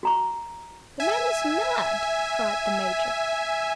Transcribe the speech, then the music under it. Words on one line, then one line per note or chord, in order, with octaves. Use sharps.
"The man is mad!" cried the Major.
F#4 A#5 C#6
E5 G#5